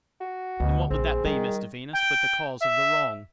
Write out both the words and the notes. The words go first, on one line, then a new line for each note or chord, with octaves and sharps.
And what would that be, Mr Venus, but the cause of the wrong?'
F#4
D2 B2
A#1 C4 G#4
D#3 G3
G5
E5